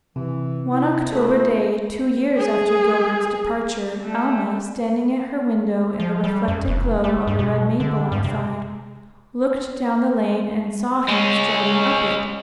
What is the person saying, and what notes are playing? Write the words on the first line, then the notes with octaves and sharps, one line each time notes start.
One October day, two years after Gilbert's departure, Alma, standing at her window in the reflected glow of a red maple outside, looked down the lane and saw him striding up it!
C3 E3
E4
F3 A3 G#4 A4 B5
G#4
A3
F3
G3
F#2
F1
A3
G2
B2
D3
G2
C3
G#3 C#4